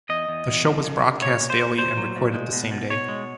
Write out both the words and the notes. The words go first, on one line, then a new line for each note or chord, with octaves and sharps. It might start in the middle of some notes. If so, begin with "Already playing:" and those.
The show was broadcast daily, and recorded the same day.
E2 D#5
E2
E2
F3
C#3
C#3
A#2 C#5
A#2
C5
A#2
A#2 C5
F#3
A#2
G#3
B2
B2
B2 C#5
G#3